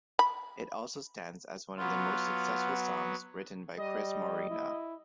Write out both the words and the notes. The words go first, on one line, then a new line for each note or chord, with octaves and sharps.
It also stands as one of the most successful songs written by Cris Morena.
B5
F#3 B3 F4
G3 D#5
E4